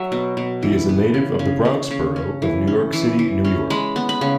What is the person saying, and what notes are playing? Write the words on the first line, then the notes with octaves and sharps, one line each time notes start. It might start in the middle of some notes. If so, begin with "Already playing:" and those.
He is a native of the Bronx borough of New York City, New York.
Already playing: F#3 E5
B2
B2
E3
B3
C#3
C#3
C#3
C#3
C#4
E3
C#4
E3
E3
C#4
G#3 B5
B3
B5
C#3